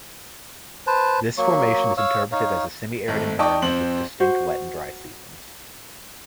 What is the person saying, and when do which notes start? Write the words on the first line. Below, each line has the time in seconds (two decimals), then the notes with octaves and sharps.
This formation is interpreted as a semiarid environment with distinct wet and dry seasons.
0.87 B4 C5 A5
1.38 F#3 A#3 C#6
1.97 C#5 F5 E6
2.32 D#4 C#5 F5
3.08 G#1 A3
3.39 D#4 D5 G5 A5 C#6 D#6
3.62 F2 C4 F#7
4.20 F#4 C5